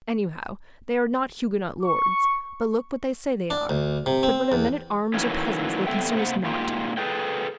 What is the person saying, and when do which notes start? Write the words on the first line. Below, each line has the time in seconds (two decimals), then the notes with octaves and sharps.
Anyhow they are not Huguenot lords, but look what they say they are; but whether men-at-arms, or peasants, they concern us not.
1.83 C#6
3.50 D4
3.69 D2
4.06 C3
4.23 C4
4.52 E2
5.14 D#3 E3 F#3 A3 A#3 C#4
5.87 F2 C3 B3 A4 E5 G5
6.15 C3 A#3 C5 C#5 F#5
6.44 G#2 A#3 F4 G4
6.97 G#4 A4 B4 G5